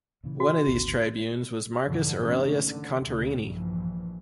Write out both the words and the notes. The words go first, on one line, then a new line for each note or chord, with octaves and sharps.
One of these Tribunes was Marcus Aurelius Contarini.
A#2 C#3 E3
F#4
G#1 D2 B3
F2 G#2 B2 D3 E3
C3 D#3 E3 A3 A#3 C#4
D3
D2 A#2 C#3
A#1 G2 A#2 E3 F3